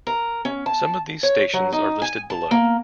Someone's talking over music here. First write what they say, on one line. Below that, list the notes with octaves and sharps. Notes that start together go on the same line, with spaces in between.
Some of these stations are listed below.
A#4
C#4
A5
C#5
F#3
D#4
G#5
A5
A#3